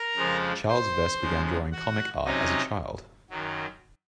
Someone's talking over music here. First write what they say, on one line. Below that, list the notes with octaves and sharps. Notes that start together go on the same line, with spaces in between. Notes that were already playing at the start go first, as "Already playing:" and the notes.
Charlies Vess began drawing comic art as a child.
Already playing: A#4 A#5
F2 C#3 F3 G#3
C5 C6
F2 C#3 G#3
F#4 F#5
C3 F#3 C#4 D#4 D#5
F#2 D#3 F#3